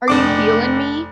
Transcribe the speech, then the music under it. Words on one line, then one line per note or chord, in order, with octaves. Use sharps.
Are You Feelin' Me?
F1 D4 D6